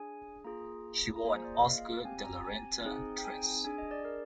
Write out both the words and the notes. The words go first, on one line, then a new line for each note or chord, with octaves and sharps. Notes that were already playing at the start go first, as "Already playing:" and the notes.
She wore an Oscar de la Renta dress.
Already playing: D4 G#4 G#5
A#3 F4 G#4 A#5
A#5
A#3 F4 G#4 G#5
C5
D5
D#5
F5
F5
C4 G4 G#5
A#5
G#5
C4 D#4 G#4
G5
G#5
D4 G#4 G#5
D#5
D5
A#4